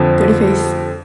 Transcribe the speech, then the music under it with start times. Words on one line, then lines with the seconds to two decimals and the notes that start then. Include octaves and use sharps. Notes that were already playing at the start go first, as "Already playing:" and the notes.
Dirty Face!
Already playing: F2 D3 F3